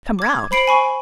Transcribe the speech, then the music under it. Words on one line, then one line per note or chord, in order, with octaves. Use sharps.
"Come round?"
D6 G#6
C5 B5 C7 D7 F#7
G#5 B5 C#6